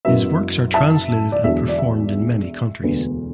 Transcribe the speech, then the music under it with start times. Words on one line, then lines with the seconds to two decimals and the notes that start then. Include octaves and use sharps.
His works are translated and performed in many countries.
0.05 F#1 F#2 F#3 B3 E5
0.74 E5 A5
1.32 D5
1.44 E1 E2 D3 F#3 E5
1.68 D5
1.79 E5
2.83 E1 D2 D3 B3